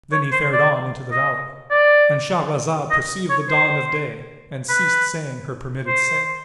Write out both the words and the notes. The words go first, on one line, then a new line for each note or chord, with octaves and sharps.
Then he fared on into the valley.--And Shahrazad perceived the dawn of day and ceased saying her permitted say.
C#5
C5
D5
D#5
D5
D#5
C#5
C5
B4
C5